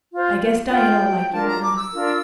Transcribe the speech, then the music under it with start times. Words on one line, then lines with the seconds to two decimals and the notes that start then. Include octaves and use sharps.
I guess Diana'll like you well enough.
0.12 F4 C5
0.71 F4 C5 G5
1.32 D4 F4 A#4 A5
1.47 A#5
1.62 D6
1.77 E6
1.92 D4 F4 A#4